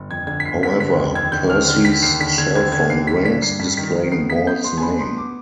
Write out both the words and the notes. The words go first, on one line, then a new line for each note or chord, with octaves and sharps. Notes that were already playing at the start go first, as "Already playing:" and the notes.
However, Percy's cellphone rings, displaying Ball's name.
Already playing: G1
F2 G#6
D3 G#6
B6
G1 C7
G1 B6
D3 B6
F2
D#2 G#6
D3 G6
D#2 F6
D3 F6
D#2 B6
D#2 C7
D3 B6
D3 G#6
D#2 G#6
D3 G#6
D#2 C7
D3 B6
D4 B6
G2 C7
G2 B6
D#3 B6
D#3
B3 C7
B3 B6
B3 G6
B3 C6
G#5
D4 B5
B3 C6
D6